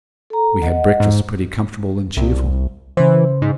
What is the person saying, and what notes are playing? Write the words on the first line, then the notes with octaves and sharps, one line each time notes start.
We had breakfast pretty comfortable and cheerful.
A4 A#5
D#5 F#5
G#2
C2
C#3 E3 C5
G#2